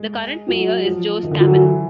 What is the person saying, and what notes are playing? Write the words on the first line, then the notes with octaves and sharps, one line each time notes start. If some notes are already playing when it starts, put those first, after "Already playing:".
The current mayor is Joe Stammen.
Already playing: G#3
F#3
F3
D#3
D3
F#3
E3